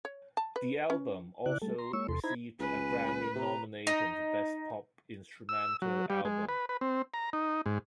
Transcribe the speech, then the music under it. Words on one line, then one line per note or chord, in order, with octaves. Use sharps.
The album also received a Grammy nomination for Best Pop Instrumental Album.
C#5
A5
B4
C#4
C#3 E4 D5 F#6
G3 A3 A4
A#5 C6
G#3 A#3 C#5 C#6 E6
E2 C3 A4 C6
D#4 E4 C5 A#5 B5 G#6
C#2 B4 G#5
C3 A#5
D#4
E6
F#3
G3
G#3
B4
B4
C4
A#5
D#4
G#2